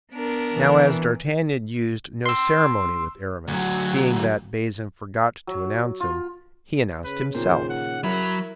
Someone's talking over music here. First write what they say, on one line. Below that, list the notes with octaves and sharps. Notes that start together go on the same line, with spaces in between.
Now, as d'Artagnan used no ceremony with Aramis, seeing that Bazin forgot to announce him, he announced himself.
B3 D4 A#4
E3
C6 E6
D2 F#3
F#3
F4
C#3 B4
A#2 D#3 C5
F#5
F#3 E4 A#4 B5